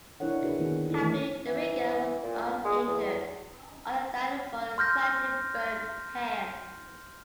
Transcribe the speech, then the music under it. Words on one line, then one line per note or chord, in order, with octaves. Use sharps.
Happily, the rigger was uninjured, other than for a slightly burned hand.
D4 E4 A#4 C#5 F#5
D3 F#4 G#4 B4
D#3 A#3 B3 G4 G#4
D#4 E4 A4
E3 A3 D4 A#4
E3
A#2
G#3
E2
C6 F6 G6 A#6